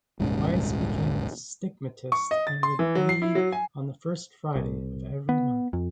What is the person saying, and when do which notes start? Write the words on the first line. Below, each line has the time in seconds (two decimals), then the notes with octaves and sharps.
Wise became a stigmatist and would bleed on the first Friday of every month.
0.19 D#1 C2 G#2 C#4
2.12 C#6
2.31 D#5
2.47 A6
2.63 C6
2.79 E3
2.95 F#3
3.09 C7
3.22 E4
3.35 F#3
3.52 G#5
4.55 C2
5.29 B3
5.73 F2